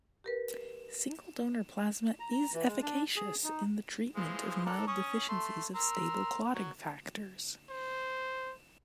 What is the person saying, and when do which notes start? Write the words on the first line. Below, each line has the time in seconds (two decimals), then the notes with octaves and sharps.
Single-donor plasma is efficacious in the treatment of mild deficiencies of stable clotting factors.
0.24 G4 A#4 B4
2.20 A#5
2.32 A#5
2.54 E3
2.67 G#3
2.82 D4
3.16 G#4
3.44 D#4
4.15 E3 F3 G#3
4.66 D4 A4 A#4
4.87 C#4 C#6 D#6
5.29 A3 C6
5.75 A#4 C6 E6
6.54 F#3
7.70 C5